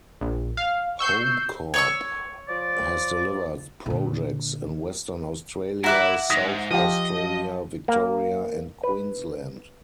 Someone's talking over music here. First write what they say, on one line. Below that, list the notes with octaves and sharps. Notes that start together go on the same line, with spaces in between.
HomeCorp has delivered projects in Western Australia, South Australia, Victoria and Queensland.
A#1
F5
C#6 E6 G6 C7
C#5 C#6 E6
F3 D5
A#2 D3
E4 F#4 E5 A#5 D6 F#6
G#2 D#6 A#6 B6
F3 G4 D#5 F5
A#3
B4